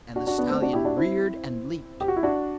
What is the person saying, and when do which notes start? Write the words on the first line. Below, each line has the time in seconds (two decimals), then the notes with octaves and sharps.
And the stallion reared and leaped.
0.16 D4 F#4
0.27 D4 F#4
0.38 B3 D4
0.50 A3 C4
0.62 D4 F#4
0.73 E4 G4
0.85 D4 F#4
0.97 C4 E4
2.01 G4
2.08 F#4
2.16 E4
2.23 D4 F#4